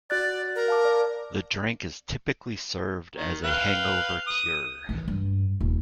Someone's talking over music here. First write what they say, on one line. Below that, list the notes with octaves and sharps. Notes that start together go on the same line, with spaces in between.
The drink is typically served as a hangover cure.
F#4 D5 F#6 A6
A#4
F5 A5 D6
D5
D#3
B4 F5 G5
D#6
D#3 E3
G2
D#1